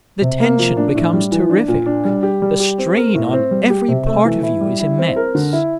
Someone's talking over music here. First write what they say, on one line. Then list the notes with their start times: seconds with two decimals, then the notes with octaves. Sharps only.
The tension becomes terrific, the strain on every part of you is immense.
0.21 C3
0.40 A#3
0.59 F3
0.77 D4
0.95 A2
1.13 G3
1.32 E3
1.49 D4
1.68 A#2
1.86 D4
2.05 G3
2.23 G4
2.42 G3
2.60 G4
2.78 C4
2.96 A#4
3.15 A2
3.33 C4
3.51 G3
3.70 G4
3.88 C3
4.06 A3
4.25 E3
4.43 E4
4.61 G3
4.80 E4
4.98 C4
5.16 A#4
5.35 D3
5.53 E4